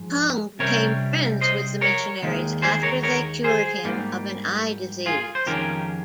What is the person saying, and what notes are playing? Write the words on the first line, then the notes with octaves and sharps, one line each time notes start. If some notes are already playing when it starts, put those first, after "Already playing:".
Kung became friends with the missionaries after they cured him of an eye disease.
Already playing: G#2 F3
C3 G3 C#4 A#4 C#5
C5 D#5
A#4 C#5
D#2 D#3 G#3
G#4 C5
A#4 C#5
A#4 C#5
G#4 C5
G#2 G3 A#3
F4 G#4
C5
F2 D#3 G#3 C#4 G4 A#4